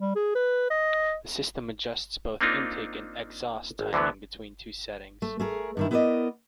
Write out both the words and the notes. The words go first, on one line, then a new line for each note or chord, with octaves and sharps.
The system adjusts both intake and exhaust timing between two settings.
G3
G#4
B4
D#5
A#3 C4 D4 D#4 F4
G#1
D2 D3 E3 F#3 B3
A3
A3 G#4 A#4
G2 D#3 E4
B3 E4 A#4 B4 D5 D#5